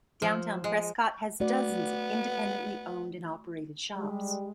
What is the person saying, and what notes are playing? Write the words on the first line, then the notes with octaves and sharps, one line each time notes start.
Downtown Prescott has dozens of independently owned and operated shops.
F3
G#3
A3 B3 F#4 D5
G3 G#3